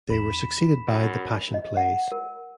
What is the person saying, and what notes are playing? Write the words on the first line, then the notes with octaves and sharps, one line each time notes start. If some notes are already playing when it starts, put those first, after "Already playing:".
They were succeeded by the Passion Plays.
E2 D4 B5 B6 E7
F#2
D#5
F#5
A#4